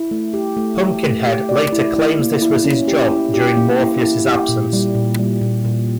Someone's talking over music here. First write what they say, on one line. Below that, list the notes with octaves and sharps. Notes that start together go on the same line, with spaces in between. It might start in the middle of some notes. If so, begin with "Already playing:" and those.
Pumpkinhead later claims this was his job during Morpheus' absence.
Already playing: E4
A3
G4
A3
G4
A3
G4
D5
E4
E4
A#3
E4
C#4
G4
E4
G4
A#3
E4
E4
G4
A#2
G3
A#2
G3
A#2
A#2